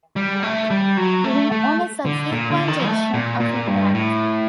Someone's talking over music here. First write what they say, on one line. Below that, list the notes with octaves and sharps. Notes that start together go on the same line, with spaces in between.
On a subsequent edition of Impact!
G3
A3
G3
F#3
A3
A3
D3
A#2
D3
D#3
A3
A#2
A#2
G2
A2